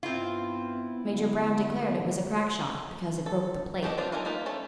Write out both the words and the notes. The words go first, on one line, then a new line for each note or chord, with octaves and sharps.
Major Brown declared it was a crack shot, because it broke the plate.
G2 B3 C4 E4 F4
D3
A4
B3 G4 A4 D#5
B3 C4 D4 F4 F5
D#4 F4 A4 A#4 G#5
A#3 B3 D#4 F4
A3 C#4 A4